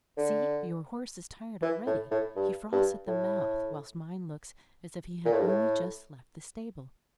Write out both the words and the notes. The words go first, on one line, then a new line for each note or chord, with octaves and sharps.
See! your horse is tired already, he froths at the mouth, whilst mine looks as if he had only just left the stable.
D3
E3
A2
A2
G2
G2
A2
A#2
A2
G2
A2